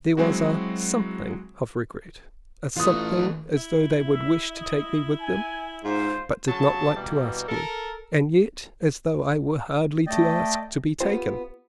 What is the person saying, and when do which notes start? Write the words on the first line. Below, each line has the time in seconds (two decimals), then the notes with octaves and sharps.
There was a something of regret, a something as though they would wish to take me with them, but did not like to ask me, and yet as though I were hardly to ask to be taken.
0.17 F#3 G#3 C4 E4 F#4
2.76 E3 A3 F4 D#6
3.57 E4
4.05 E5
4.53 D#5
5.20 G#5
5.84 G#2 F4 C5
6.48 C#3 F#3 A5
6.97 B2 E3 G3 A#3
7.49 A4 A#4
10.07 A3 D5 D#5 G5
11.00 B3 C4 F4 G4 C5